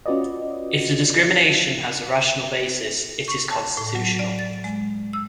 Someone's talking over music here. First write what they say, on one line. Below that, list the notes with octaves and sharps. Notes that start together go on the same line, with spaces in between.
If the discrimination has a rational basis, it is constitutional.
C#4 F4 F#4 B4 D5 D#5
C#6
A5
A2
F#3
D5
A6
G#3
E6